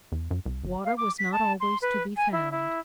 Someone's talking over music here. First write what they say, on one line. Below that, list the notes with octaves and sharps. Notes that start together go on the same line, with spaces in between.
Water was not always to be found.
E2
F#2
C2
G1
F5
D6
B6
A5
C6
B4
G#5
E4
E4